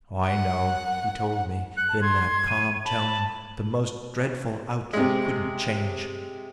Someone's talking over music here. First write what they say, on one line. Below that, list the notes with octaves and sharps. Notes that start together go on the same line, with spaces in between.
"I know," he told me in that calm tone the most dreadful outlook couldn't change.
F#5
F#6 C#7
A5
C6 G#6
D#7
A5 B5
C3 G#3